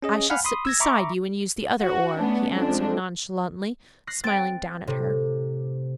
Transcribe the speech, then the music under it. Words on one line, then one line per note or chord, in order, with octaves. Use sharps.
"I shall sit beside you and use the other oar," he answered nonchalantly, smiling down at her.
C#4 G#4 D#5
F5 F#5 G#5 B5 F6
B5 C6 D#6
E6 G#6 A#6
E5 A#5 B5 C#6 D6
F#4
A3 B3 C#4 D4
F2 G#3 D4
F#6 A#6 C7
C4 A6 D7
A2 C3